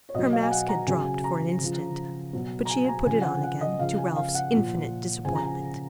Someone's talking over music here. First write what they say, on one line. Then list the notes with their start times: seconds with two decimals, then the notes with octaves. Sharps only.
Her mask had dropped for an instant, but she had put it on again, to Ralph's infinite disappointment.
0.09 C#5
0.14 B2 F#3 D#5
0.33 F5
0.42 G#5
0.51 F#5
0.69 A#5
0.87 C#3 F#3 G#5
1.05 G#5
1.24 A#5
1.61 C#3 F3
2.33 B2 F#3
2.65 A#5
2.70 G#5
2.84 G#5
2.88 A#5
3.06 C#3 F3 G#5
3.21 F#5
3.25 G#5
3.43 F#5
3.61 D#5
3.79 C#3 F3 F5
3.98 G#5
4.16 F5
4.35 F#5
4.52 A#2 F3
5.25 C#3 F3 G#5
5.36 A#5
5.43 G#5